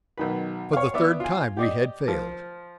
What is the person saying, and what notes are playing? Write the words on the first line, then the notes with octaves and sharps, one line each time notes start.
For the third time we had failed.
B1 D#3 B4
C#5 F5
B3 D5 E5
F4 G#5
G4 D5 D#5
F3